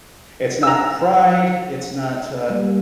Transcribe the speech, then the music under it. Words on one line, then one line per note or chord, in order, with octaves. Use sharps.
it's not pride, it's not, uh
A#5 E6
G3 A#3